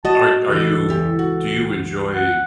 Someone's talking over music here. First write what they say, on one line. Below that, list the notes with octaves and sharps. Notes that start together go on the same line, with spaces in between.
Are are you do you enjoy
F#4 D#5 A5
C#2 E3 A4
E2 G4
F#4
F#5